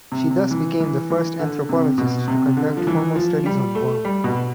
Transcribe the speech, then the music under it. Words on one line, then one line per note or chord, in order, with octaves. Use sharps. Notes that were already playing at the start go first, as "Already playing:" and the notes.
She thus became the first anthropologist to conduct formal studies on Guam.
C3
C3
E3
E3
E3
D3
C3
B2
C3
D3
F3
E3
F3
G3
A3
G3
B2